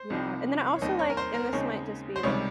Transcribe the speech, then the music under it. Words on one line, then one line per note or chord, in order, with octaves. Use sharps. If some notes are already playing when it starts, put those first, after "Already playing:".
Yeah. And then I also, like, and this might just be, like,
Already playing: C5
C2 C3 F3 C4 D#4
C#5
D#2 D#3 G3 C4 D#5
C#5
A#4
C5
A#4
D#2 C#3 G#3 C4 D#4 C#5
C5
C#2 C3 D#3 G3 C#4 C#5